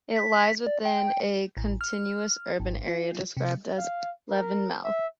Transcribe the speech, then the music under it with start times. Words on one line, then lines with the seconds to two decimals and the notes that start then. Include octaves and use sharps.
It lies within a continuous urban area described as Levenmouth.
0.16 B6
0.67 D5
0.85 G5
1.57 A1
1.81 F6
2.60 G#1
2.87 F4
3.37 C3
3.77 F5
4.30 A#4
4.85 E5